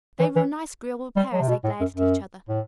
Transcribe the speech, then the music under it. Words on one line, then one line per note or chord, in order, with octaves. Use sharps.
They were a nice agreeable pair as they glared at each other.
E3
E3
G3
F#3
C3
B2
A2
F#2
F#2
A2